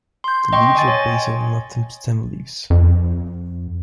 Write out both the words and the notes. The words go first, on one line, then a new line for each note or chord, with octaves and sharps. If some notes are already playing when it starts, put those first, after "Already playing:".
The leaves are basal and often stem leaves.
C6 G6
D#5 G5 C6 C#6
D#5 G#5 A6
C#5
F2